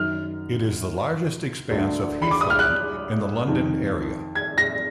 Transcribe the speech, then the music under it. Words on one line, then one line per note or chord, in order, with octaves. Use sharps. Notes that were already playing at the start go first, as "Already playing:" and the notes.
It is the largest expanse of heathland in the London area.
Already playing: F#2 D#3 F6
D2 D3
B5
D6
D#6
F6
F#6
F2 D#3
G#6
A#6